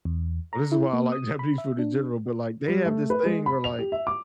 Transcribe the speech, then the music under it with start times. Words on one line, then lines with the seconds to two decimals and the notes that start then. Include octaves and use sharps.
but this is why I like Japanese food in general, but, like, they have this thing where, like,
0.05 E2
0.53 A#5
0.72 E4
0.93 A#3
1.12 D#6
1.39 B5
1.58 E5
1.79 D4
2.68 G3
2.86 A3
3.10 B4
3.25 G#3
3.46 B5
3.64 F7
3.79 G4
3.92 E5
4.07 D6